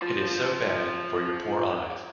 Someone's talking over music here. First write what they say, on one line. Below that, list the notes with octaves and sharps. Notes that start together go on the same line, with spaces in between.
It is so bad for your poor eyes.
F4 C5